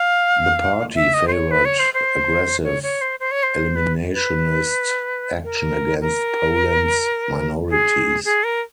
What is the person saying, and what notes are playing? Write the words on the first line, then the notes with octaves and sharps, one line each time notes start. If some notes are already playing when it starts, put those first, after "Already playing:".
The party favored aggressive eliminationist action against Poland's minorities.
Already playing: F5
E5
D#5
C5
C#5
B4
C#5
C5
C5
C#5
C#5
C5
C5
C#5
C5
B4
B4
A#4
A#4
G#4
G#4
A#4